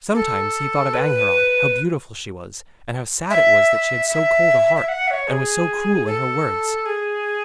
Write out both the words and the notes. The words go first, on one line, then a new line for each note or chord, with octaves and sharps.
Sometimes he thought of Angharad, how beautiful she was, and how sad it was that she had so cold a heart, and was so cruel in her words.
A4
B4
E5
E5
E5
F#5
E5
C#5
G#4
A4
G#4